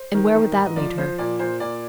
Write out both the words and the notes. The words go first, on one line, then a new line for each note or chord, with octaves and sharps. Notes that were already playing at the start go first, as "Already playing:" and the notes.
And where would that lead her?
Already playing: C5
D#3
D#3
G#2
D#5
F3 D5
F3 C5
A#2 D5
A#2 C5
A#2 D5